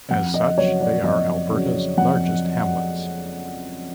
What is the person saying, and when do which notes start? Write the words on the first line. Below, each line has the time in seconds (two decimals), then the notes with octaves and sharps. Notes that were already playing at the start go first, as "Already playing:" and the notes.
As such, they are Alberta's largest hamlets.
0.11 F2 F#5
0.34 D#5
0.57 C#3 F#3 C#5
0.81 D5
1.04 F2 D#5
1.51 C#3 F#3
1.97 F2 F#5